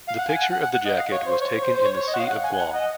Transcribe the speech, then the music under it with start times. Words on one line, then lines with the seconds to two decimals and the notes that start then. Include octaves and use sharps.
The picture of the jacket was taken in the sea of Guam.
0.08 F5
0.19 F#5
0.29 G#5
0.41 F#5
0.53 F#5
0.63 F#5
0.74 F#5
0.86 D#5
0.97 F5
1.12 C#5
1.27 C5
1.42 C#5
1.63 C5
1.75 C5
1.85 C#5
1.96 C#5
2.08 D#5
2.14 F#5
2.19 F5
2.30 F#5
2.45 G#5
2.60 F#5
2.74 D#5